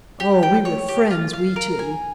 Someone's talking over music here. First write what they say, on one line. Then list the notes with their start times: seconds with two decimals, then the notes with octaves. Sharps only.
Oh, we were friends, we two!
0.20 G4
0.43 G5
0.65 C#5
0.88 G4
1.11 F4
1.33 F5
1.56 A#4
1.79 G#5